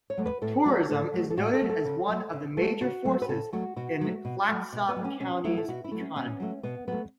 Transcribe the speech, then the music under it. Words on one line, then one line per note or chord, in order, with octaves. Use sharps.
Tourism is noted as one of the major forces in Clatsop County's economy.
C#5
F#3 A3
B4
A2 A4
F#3 A3 F#4
A2 A4
F#3 A3
A4
A2 F#4
A4
F#3 A3
A4
C#3
F#3 A3
C#3
F#3 A3 A4
C#3 F#4
F#3 A3
B4
C#3 A4
F#3 A3 F#4
B2 F#4
F#3 A3
B2
F#3 A3
B2
B3
F#3 A3
C#4
B2 C#4
F#3 A3 E4
A4
B2 F#4
E4
F#3 A3
C#4
B2 C#4
F#3 A3
B2 B3
F#3 A3 B3